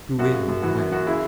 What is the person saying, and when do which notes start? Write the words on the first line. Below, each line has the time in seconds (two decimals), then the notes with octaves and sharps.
It drew in on the web.
0.19 F#2 F#4
0.33 C#3
0.48 F#2
0.62 E3 F#4
0.78 F#2
0.92 F#2 F#4
1.07 C#3 E4 G#4